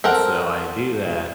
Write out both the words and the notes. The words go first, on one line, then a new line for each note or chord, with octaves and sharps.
and so, I do that.
C4 A4 A#4 F#5